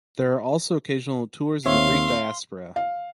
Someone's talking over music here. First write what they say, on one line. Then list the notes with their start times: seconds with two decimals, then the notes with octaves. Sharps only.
There are also occasional tours in the Greek diaspora.
1.66 D#2 C4 C#5 E5 F5 C6
2.76 F5